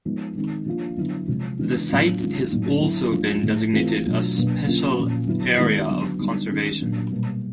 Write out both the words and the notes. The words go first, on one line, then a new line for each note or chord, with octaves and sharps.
The site has also been designated a Special Area of Conservation.
F3 G#3 B3 D#4
D#3 G#3 C4 D#4
F3 A#3 D4 F4
D3 F#3 B3 E4
C3 F3 G#3
C#3 E3 G#3 B3 D4
A2 F#3 B3 D4 F4
D#3 G#3 C#4 F4
A2 F#3 A#3 D#4
D3 F#3 B3 E4
F3 A3 D4 F4
A2 F3 A3
E3 A3 C4 F4
B2 F#3 A3 D4 F4
B2 F#3 A#3 D4
D3 F#3 A#3 C#4 F4
A#2 F3 A#3 C#4
D3 F#3 B3 E4
D#3 G#3 B3 E4
D3 F#3 B3
D3 G3 B3 D#4
D#3 G#3 C#4
A#2 F#3 A#3 D4
B2 G3 A#3